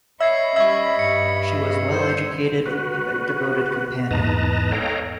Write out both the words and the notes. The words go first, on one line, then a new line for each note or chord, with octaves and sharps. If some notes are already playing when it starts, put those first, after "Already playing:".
She was well-educated, and a devoted companion.
C#5 D#5 E5 B5 E6 G#6 C7
G3 C#4 E5 C#6 E6 G#6
G2 C#7
A4 C5
F#4 B4
E2 G#2 B4 D#5 A5 A#5
A4 C#5 D#5 F5 G5 A#5